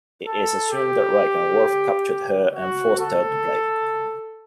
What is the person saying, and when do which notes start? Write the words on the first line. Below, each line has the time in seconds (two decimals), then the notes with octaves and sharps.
It is assumed that Riker and Worf captured her and forced her to play.
0.27 A4
0.71 G4
2.53 F#4
2.98 A4